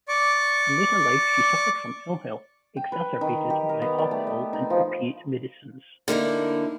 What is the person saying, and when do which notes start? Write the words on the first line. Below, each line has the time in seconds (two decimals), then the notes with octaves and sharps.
In later life she suffered from ill-health, exacerbated by alcohol and opiate medicines.
0.08 D5 C#6 D6
2.77 G5
2.92 B4
3.21 D#3
3.50 G4
3.69 A#4
3.82 B3
3.98 D5
4.11 A3
4.27 D#5
4.53 D#4
4.70 F3
6.08 D3 A#3 D#4 E4